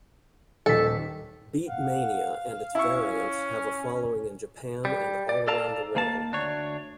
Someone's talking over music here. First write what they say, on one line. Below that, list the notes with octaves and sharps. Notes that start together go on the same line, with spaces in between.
"Beatmania" and its variants have a following in Japan and all around the world.
D#1 D#3 A4 B6
F5 F#5
C#4 E4 C#6
G3
D5
A4 D5 F5 A5 A#5
D#2 A#3 A5
D2 D4 C#5